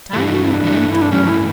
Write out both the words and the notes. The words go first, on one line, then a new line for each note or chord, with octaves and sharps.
Time went on.
G2 E3 A3 G4
F#4
E4
D4
G2 E3 A3
E4
D4
G2 E3 A3 C#4
E4